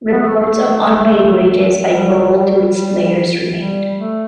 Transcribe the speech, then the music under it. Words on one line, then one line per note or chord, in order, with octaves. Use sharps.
Reports of unpaid wages by Global to its players remained.
B3
A3
G3
G3
G3
G3
A3